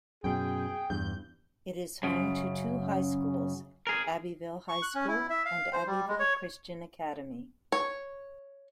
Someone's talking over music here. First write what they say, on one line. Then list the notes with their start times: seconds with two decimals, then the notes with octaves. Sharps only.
It is home to two high schools: Abbeville High School and Abbeville Christian Academy.
0.24 F#2 B2 G#4 G5
0.90 E2 G2 G6
2.03 F#2 C#3
3.87 G#4 A#4
4.69 C#6
4.82 F#6
4.95 C#4
5.08 E4
5.30 E5
5.45 F5
5.73 C5
5.87 G3
6.08 G#3
6.20 C#5
7.72 C#5